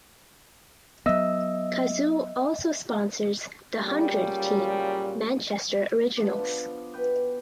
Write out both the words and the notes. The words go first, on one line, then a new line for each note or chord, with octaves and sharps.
Cazoo also sponsors The Hundred team Manchester Originals.
F#3 B3 D#5 E5 E6
A#2 C#3 F#3 G3
F3 B3 D4
B2 B4 G5